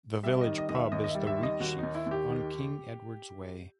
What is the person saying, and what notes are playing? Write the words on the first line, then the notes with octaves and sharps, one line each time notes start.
The village pub is the Wheatsheaf on King Edward's Way.
G3 E5
D#3 D#5
D#5
D#2 D#5
E5
D#2 D#5
D#5
E5
G3
E5
D#3 D#5
D#2 F#4
D#2 D#4
E4
D#2 G4
D#3